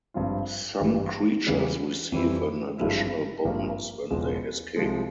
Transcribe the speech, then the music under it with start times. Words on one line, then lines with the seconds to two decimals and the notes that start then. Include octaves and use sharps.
Some creatures receive an additional bonus when they escape.
0.14 G#1 G2 F3 C4 F4
0.80 G#1 G2 E3 G3
1.47 E2 C#3 E3 G3
2.12 F2 E3 G3 C4 E4
2.78 G#1 G2 F3 G#3 E4
3.44 G#1 G2 F3 A#3
4.10 E1 E2 C#3 F3 G#3
4.76 C2 C3 F3 G#3